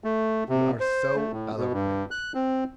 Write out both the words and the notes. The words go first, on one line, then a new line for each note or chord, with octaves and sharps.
You are so eloquent.
A3
C3
C5
A3
A2
B2
G2
F#6
C4